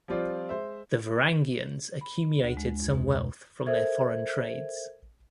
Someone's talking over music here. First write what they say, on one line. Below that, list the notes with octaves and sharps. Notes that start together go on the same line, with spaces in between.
The Varangians accumulated some wealth from their foreign trades.
F3 G3 C4 F4 D5
G#3 C5 E5
B5
D2
G#3
F2
B2
A4 A#4 C5 E5 G#6